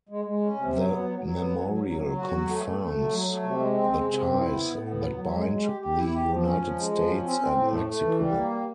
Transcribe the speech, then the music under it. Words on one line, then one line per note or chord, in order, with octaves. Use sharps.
The memorial confirms the ties that bind the United States and Mexico.
G#3
G#3
C#4
C3
F#3
B3
F#3
F#3
B3
F#3
F#3
F#3
F#3
F#4
F#3
A3
A3
A3
F#3
F#3
A3
C3
G#3
C4
G#3
C3
C4
E4
B3
A2
B3
F#3
F#3
G#3
G#3
G4
G4
E4
G4
F3
C#4
F3
G#3
F3
C#4
C4
C4
A2
A3
A3
E3
G3
A#3
G3